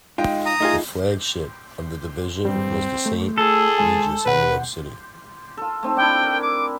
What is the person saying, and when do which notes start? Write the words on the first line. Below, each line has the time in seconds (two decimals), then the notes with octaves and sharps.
The flagship of the division was The Saint Regis in New York City.
0.18 G#3 D#4 F4 G5
0.46 A#5 D#6
0.60 A3 D#4 F4 G#4
2.45 G2 G3 C4
3.06 A3
3.38 G#4 A4
3.78 G#3 G#5
4.26 D#2 B2 B4 F#5
5.57 F4 A4
5.83 A3 C4 D#4
5.97 D4 E4 G5
6.23 A#4
6.41 D6